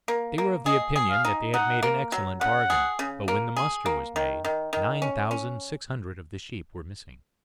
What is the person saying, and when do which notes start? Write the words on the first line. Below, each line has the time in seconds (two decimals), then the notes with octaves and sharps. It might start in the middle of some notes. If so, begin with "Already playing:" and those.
They were of the opinion that they had made an excellent bargain, but when the muster was made nine thousand six hundred of the sheep were missing.
0.08 A#3
0.38 A#3
0.66 G#4 D#5
0.96 G#4
1.10 F5
1.25 D#4
1.54 D#4 F#5
1.83 A#3
2.12 F#3
2.41 C#3 F#5
2.70 G#4
2.99 C#3
3.28 A#3
3.57 G#4
3.86 A#3
4.16 D#3
4.45 D#3
4.73 D#3
5.02 C#4
5.31 C#4